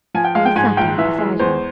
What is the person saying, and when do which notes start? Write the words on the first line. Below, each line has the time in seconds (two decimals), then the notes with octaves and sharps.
He sat down beside her.
0.14 F3 G#5
0.24 G5
0.35 G#3 F5
0.45 G5
0.56 G#2 G#5
0.77 A#1 G5
0.98 E3 E5
1.18 G#3
1.39 E2 C5